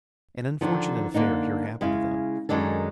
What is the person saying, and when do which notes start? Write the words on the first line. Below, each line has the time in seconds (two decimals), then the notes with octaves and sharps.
An unfortunate affair here happened to them.
0.61 D3 D#3 F3
1.14 D3 A#3 D4 D#4
1.81 C#3 G#3 E4 F5
2.49 F#2 D#3 G#3 D4 A4